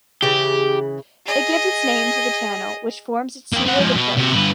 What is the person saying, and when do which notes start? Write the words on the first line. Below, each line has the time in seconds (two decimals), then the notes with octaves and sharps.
It gives its name to the Channel, which forms its seaward approach.
0.22 C#3 E3 G4
1.26 G#4 D#5
3.54 A#3 G5
3.67 C4 F#5
3.79 F3 G#3
3.96 B2
4.18 C3 F#4
4.34 G2 B3